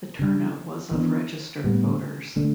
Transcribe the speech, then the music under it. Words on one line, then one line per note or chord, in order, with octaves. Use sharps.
The turnout was of registered voters.
C#3 G3 D4
E3 B3 D4
A2 G3 B3
D3 A3 D4